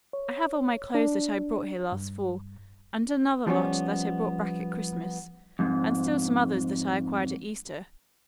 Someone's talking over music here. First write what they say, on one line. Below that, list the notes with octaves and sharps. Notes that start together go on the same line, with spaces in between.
I have all my clothes that I brought here last fall, and another lot that I brought back at Christmas, and still some others that I acquired at Easter.
C#5
D4
G2
F3 G3 B3 C#4
F2 G#2